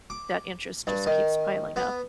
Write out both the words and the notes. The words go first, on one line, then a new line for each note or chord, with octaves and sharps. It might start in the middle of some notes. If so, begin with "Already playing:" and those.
that interest, just, keeps piling up.
D6
G2
D#3
B3